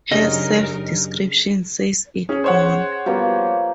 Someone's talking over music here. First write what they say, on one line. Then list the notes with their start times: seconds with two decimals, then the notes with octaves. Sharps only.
Her self-description says it all.
0.11 F#2 C#3 D4 D#4 G4 G#4 A#4 D#5
2.29 C#4 G#4
2.44 C5 C#5 F#5
3.06 F3 G3 A#3 B3